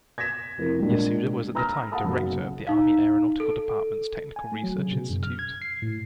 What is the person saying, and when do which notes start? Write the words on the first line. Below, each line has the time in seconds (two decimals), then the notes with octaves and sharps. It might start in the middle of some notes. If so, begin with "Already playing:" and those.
Yasuda was at the time director of the Army Aeronautical Department's Technical Research Institute.
0.18 G#6 A#6 B6 E7
0.58 F1 E4 A#4
0.79 A#2 G3 G#3 A#3 D4
1.55 A#5 B5 E6 F6 A#6
1.92 F5 F#5 A5 B5 D#6
2.04 F#1 B1
2.67 D#4 F5
3.40 A4
4.36 G#5
4.52 A3
4.64 F#3
4.78 C#3
4.93 B2
5.10 F#2
5.23 F6
5.39 G#6
5.62 C7
5.82 A2